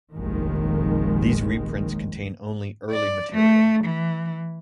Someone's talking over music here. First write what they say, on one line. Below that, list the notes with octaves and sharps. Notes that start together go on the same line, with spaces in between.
These reprints contain only early material.
F1 A#1 D#2 D#3 G#3
D5
A3
E3